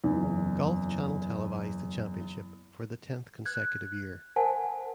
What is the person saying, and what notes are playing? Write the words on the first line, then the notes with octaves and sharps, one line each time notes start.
Golf Channel televised the championship for the tenth consecutive year.
F#1 E2
F#6 G#6
A#4 C5 F#5 G#5 A5